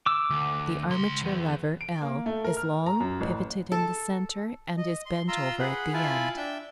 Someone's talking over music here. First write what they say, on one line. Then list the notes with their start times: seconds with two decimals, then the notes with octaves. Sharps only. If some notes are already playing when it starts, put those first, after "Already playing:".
The armature lever, L, is long, pivoted in the centre, and is bent over at the end.
0.06 D6 E6
0.30 D2
0.90 C#2 C6
1.24 E2
1.81 D7
2.02 A#3
2.26 A3
2.44 A#4
2.57 F6
2.86 A#5
3.00 F#2
3.20 A1
3.72 A4
4.77 D#5
5.06 C6
5.28 F4 A#5 C6 E6
5.59 G#4 B4 F#5 B5
5.93 E4 F4 G#5 A5 B5
6.37 D4 E5 G5 E6 G6